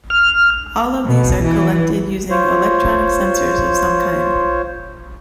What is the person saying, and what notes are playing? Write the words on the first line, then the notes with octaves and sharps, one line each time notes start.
All of these are collected using electronic sensors of some kind.
F6
B2
E3
F4 C5 C#5